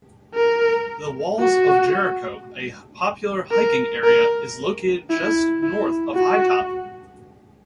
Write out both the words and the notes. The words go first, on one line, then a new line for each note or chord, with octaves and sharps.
The Walls of Jericho, a popular hiking area, is located just north of Hytop.
A#4
F#4
A#4
A#4
E4
E4
F#4